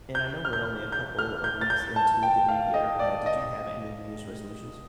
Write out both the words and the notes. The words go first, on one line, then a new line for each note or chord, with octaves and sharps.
And I know we're only a couple of weeks into the New Year, uh, did you have any New Year's resolutions?
G6
F6
G6
G6
F6
G6
A6
G6
A5
G5
F5
D#5
D5
D#5